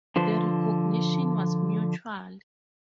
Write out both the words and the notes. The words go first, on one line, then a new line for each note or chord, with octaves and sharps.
The recognition was mutual.
D3 F3 B4 C5